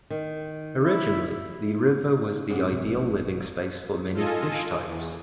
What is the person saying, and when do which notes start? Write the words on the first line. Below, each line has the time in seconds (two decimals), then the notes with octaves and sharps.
Originally the river was the ideal living space for many fish types.
0.10 D#3
0.84 E4
2.50 G#2 C3 C4 C#4
2.71 G#1 B2 F3
4.14 F4 A4 D#5 G#5
4.87 E2